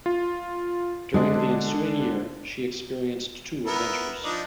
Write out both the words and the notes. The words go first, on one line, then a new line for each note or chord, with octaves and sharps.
During the ensuing year, she experienced two adventures.
F4
D3 G#3 D4
B3 E4 A#4
F3 D4 D#4